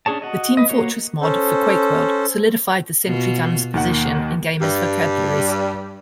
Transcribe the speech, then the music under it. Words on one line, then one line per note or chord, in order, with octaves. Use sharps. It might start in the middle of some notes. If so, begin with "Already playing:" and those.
The "Team Fortress" mod for "QuakeWorld" solidified the sentry gun's position in gamers' vocabularies.
C#4 D4 G#4 C#5 A5
F#4 D#5
B4 D#5
A#3 F#4 C#5
C#4 A4 C5
B2 F4 F#4
D#2 D#3 A#3 F#5
G2 G3